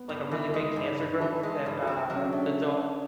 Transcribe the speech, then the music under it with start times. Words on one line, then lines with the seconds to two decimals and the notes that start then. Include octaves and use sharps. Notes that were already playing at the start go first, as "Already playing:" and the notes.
like, a really big cancer growth that, uh, the do
Already playing: B3
0.09 G2
0.32 E3
0.49 E4
0.53 G#3 D#4
0.76 G2
0.99 G2
1.20 E3 A4
1.43 G#3
1.66 G2
1.83 A4
1.87 C4 G#4
2.10 F#3
2.16 C#4
2.22 D4
2.32 A3